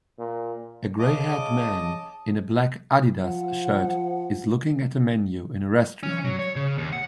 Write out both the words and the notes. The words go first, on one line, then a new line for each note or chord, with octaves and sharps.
A grayhaired man in a black Adidas shirt is looking at a menu in a restaurant.
A#2
C#3 D#5 A5 D6
F3 F#5
C#4
F#3
C#5
C#3
D#2
F#5